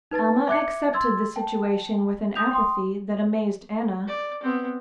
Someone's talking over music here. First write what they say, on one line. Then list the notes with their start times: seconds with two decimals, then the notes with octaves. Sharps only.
Alma accepted the situation with an apathy that amazed Anna.
0.11 D#4 B4 A5 A6
0.48 E5 D6 F#6 G#6 C#7
0.93 C6 E6 G#6 A6
1.36 G5 A5
2.35 D#6 G6 F7
2.51 G5 C6 D#6
4.08 D5
4.43 B3 C4